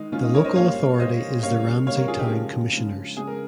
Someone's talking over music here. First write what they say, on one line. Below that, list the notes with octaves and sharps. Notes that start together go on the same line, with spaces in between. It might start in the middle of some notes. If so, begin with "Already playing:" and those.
The local authority is the Ramsey Town Commissioners.
Already playing: D#3 G#3 D#4
D#3 G#3 C#4 F4
D#4
A#4 C#5
C5 D#5
A#2 G3 A#3 C#5 F5
A#2 G3 A#3 C5 D#5
C#3 G3 A#3 C#5 F5
C#3 G3 A#3 C#5 F5
A#4 C#5
F4 G#4
D#4 G4
C#3 F3 G#3
C#3 F3 G#3
C#3 G#3 G#4
A#4